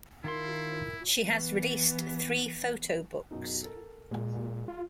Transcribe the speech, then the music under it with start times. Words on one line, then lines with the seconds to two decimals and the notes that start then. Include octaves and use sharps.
She has released three photobooks.
0.24 D#3 E4 F4 A#4 C6
1.21 E3 B3
3.31 F#2 B2 D#4
3.63 A4 A#4
4.11 A#2 G#3
4.68 F4